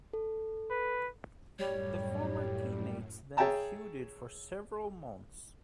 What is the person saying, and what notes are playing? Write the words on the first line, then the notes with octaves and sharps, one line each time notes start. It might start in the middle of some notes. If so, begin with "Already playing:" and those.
The former teammates then feuded for several months.
A4
B4
F#2 A2 G3 C#5
G#4 C#5 E5 G5 A5 A#5